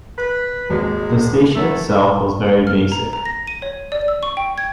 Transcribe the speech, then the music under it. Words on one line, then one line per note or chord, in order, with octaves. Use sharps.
The station itself was very basic.
B4
G#1 D#2 G#3
A3 A#4 C#5 F#5
F6
A#5
A#5
A#6
D#7
C#5
D5
E6
C#6
G5
G#6